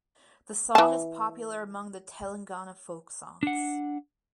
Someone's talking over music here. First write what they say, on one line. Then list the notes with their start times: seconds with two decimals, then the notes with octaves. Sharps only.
The song is popular among the Telangana folk songs.
0.75 E3 A5
3.43 D4 F#5